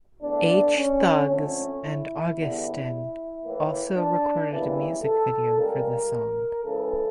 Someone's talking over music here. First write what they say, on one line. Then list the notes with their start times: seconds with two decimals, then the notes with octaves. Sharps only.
H Thugz and Augustin also recorded a music video for the song.
0.22 E2 D3 A3 D4
0.76 C#4
1.29 F2 D3 A3 C#4
1.83 E4
2.37 E2 D3 G3
3.44 A2 E3 A#3
3.97 D4
4.50 E2 C#3 E3 G3 A#3 E4
5.03 A4
5.57 C#2 C#3 G3 A#3 A#4
6.64 C#2 C#3 E3 A4